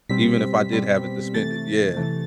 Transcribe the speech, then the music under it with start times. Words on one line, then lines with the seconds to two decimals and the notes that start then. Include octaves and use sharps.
even if I did have it to spent it yeah.
0.09 B2 G3 C4 B6
0.72 B2 G3 C4
1.34 C3 E3 A3 A6
1.97 C3 E3 A3